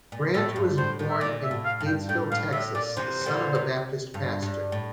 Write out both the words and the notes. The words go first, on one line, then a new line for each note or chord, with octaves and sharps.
Bryant was born in Gatesville, Texas, the son of a Baptist pastor.
A#2
A2 A4
G2
A2 C5
A2
E5
A#2 D5
E5
A2
F5
G2
G5
A2 G5
A2 F5
A2 E5
A#2 D5
C3 E3 C5
E3
A#2 D3
C3
G2
G2
A2